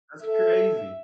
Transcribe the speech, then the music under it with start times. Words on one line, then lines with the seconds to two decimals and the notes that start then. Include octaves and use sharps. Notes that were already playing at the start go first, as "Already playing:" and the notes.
That's crazy.
0.24 A4 E5